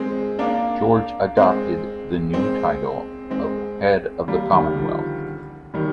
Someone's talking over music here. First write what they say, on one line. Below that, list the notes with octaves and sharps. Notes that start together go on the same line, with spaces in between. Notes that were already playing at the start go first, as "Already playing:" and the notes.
George adopted the new title of Head of the Commonwealth.
Already playing: G#3 C4
A#3 D4
G#3 C4
G#3 C4
G#3 C4
G3 A#3
D#3 G3
D3 F3
D#3 G3